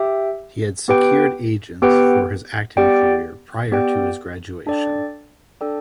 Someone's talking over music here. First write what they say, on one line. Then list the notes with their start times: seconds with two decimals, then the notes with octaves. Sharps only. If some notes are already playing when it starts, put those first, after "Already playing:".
He had secured agents for his acting career prior to his graduation.
Already playing: G4 E5 G5
0.88 B3 G4 B4 G5
1.82 B3 G4 B4 G5
2.77 B3 G4 D5 G5
3.72 B3 G4 D5 G5
4.67 D4 A4 D5 G5
5.61 D4 A4 D5 G5